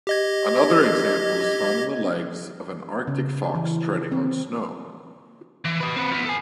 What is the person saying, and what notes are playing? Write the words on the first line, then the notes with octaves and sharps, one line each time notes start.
Another example is found in the legs of an Arctic fox treading on snow.
G4 D#5 G#6
C#3
E3
C4
E3
B4 D#5
C4 B4
F3 B3
A4 G#5